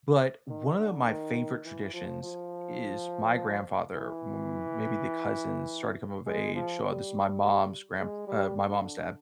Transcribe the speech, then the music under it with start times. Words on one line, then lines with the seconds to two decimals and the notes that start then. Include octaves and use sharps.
But one of my favorite traditions i is my grandfather, m maybe the cousins, started to come of age. So, this is my mom's grandp uh, my mom's dad.
0.49 D#3
0.78 D3
1.06 D#3
1.64 E3
1.93 F3
2.22 F3
3.94 E3
6.26 G#3
6.55 F3
6.83 G3
7.98 G#3
8.27 G3
8.56 D3